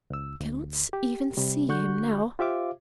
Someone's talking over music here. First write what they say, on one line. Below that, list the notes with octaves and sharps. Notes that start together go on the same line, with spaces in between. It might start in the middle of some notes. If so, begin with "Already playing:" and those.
I cannot even see him now.
C#2 E6
D2
G4
C3 G3
D3 F#4 C#6 F#6 G6
F4 G4 C5 E5 F5 D6